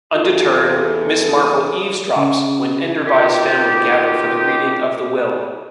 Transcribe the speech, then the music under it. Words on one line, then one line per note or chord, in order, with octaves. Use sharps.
Undeterred, Miss Marple eavesdrops when Enderby's family gather for the reading of the Will.
E2 C#3 F4 A4
D#6
C#3
B2 D#3 A#3 F4 G4